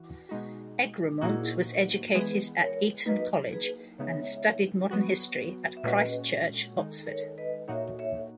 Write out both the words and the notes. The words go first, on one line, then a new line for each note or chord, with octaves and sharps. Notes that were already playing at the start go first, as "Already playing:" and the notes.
Egremont was educated at Eton College and studied modern history at Christ Church, Oxford.
Already playing: E3 F#4
B2 G#3 D#4 F#4
A#2 A#3 D#4 E4 F#4 G#4
E3 G#3 B3 G#4 B4
A#4 C#5
F#3 A#3 D#4 B4 D#5
G#4 B4
C#3 G#3 B3 D#4 C#5 E5
F#3 B3 F#4
E5
A#2 G#3 C#4 F#4 B4 D#5
D#3 G#3 D#4
A#4 C#5
B4 D#5
A#2 A#3 D#4 F#4 C#5 E5
C#5 E5